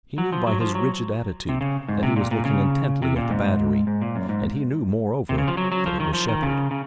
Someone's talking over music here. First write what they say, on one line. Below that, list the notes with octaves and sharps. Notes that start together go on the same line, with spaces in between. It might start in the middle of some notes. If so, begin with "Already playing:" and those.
He knew by his rigid attitude that he was looking intently at the battery and he knew, moreover, that it was Shepard.
F#3
F3
F#3
F3
F#3
C3
C#3
G#2
C3
A#2
A#2
C#3
C3
A#2
G#2
G#2
A#2
F#2
G#2
C3
C#3
F3
F#3
F#3
F3
D#3
F3
D#3
C#3
C#3